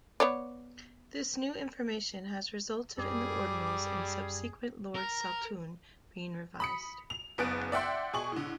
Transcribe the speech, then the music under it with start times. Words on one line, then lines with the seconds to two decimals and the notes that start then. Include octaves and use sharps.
This new information has resulted in the ordinals in subsequent Lords Saltoun being revised.
0.20 B3 C#5 D5
2.98 F#2 G3 G#4 D6
4.95 A#4
6.60 B5 D#6 C#7
7.10 F7
7.38 F#1 C#3 B3 F#6 A6 D7
7.72 D5 E5 F#5 G5 C6
8.13 B2 G#4 C#6 F#7
8.32 A2 D3